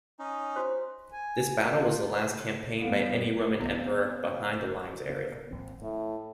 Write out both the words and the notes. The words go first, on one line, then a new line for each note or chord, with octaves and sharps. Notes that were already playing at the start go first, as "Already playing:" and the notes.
This battle was the last campaign by any Roman Emperor behind the Limes area.
C#4 D#4
F#4 C5
G#5
F4
F#2 G3 B3 F5
A2
B1 F2 E3 B3
C4 C#4
A#3
G#1 F3 C4
A2 A3